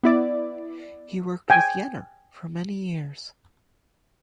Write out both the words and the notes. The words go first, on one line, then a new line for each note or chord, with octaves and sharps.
He worked with Yener for many years.
B3 E4 D5
G5 G#5